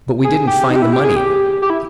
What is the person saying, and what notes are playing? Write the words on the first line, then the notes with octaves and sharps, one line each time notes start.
But we didn't find the money in it.
G#4
G4
D#4
G4
E4
G4
G#4
G4
G4
E4